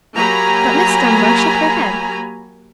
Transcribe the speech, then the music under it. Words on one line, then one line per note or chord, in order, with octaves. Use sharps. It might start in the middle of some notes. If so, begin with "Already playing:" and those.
But Miss Dunbar shook her head.
F#3 A#3 G4 G#5 A#5 B5